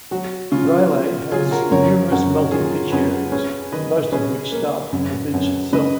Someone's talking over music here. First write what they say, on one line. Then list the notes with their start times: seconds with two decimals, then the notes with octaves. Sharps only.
Railay has numerous multi-pitch areas most of which start from the beach itself.
0.11 F#3 F#4
0.52 C#3 F4
0.92 B3
1.31 F#3 F4 G#4
1.51 F#4 A#4
1.71 F#2 A#4 C#5
2.12 F#2 F#4 A#4
2.51 D#3 F4 G#4
2.92 F#2 G#4 B4
3.32 C#4 G#4 B4
3.72 D#3 B4 D#5
4.12 C#4 G#4 B4
4.52 A#3
4.93 F#2
5.33 F#2
5.73 C#3 B4 D#5